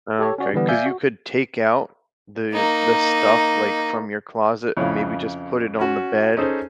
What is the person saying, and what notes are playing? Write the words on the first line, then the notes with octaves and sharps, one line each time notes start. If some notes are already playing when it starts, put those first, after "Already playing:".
Oh, okay, 'cause you could take out the the stuff, like, from your closet and, maybe, just put it on the bed
G4 A4 C#5
C#4 F#4 D5
D3 E3 G3 B3
D5 E5 F5 G#5 G6
F#4
A#3 D#4
F2 C#3 E4 C#5
C#4 F#4
C#4 D#4 G#4 A4 C5